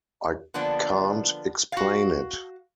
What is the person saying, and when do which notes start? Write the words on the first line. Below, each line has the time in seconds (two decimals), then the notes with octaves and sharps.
I can't explain it.
0.54 D3 F3 A#3 B3 D4
1.72 F#4 F5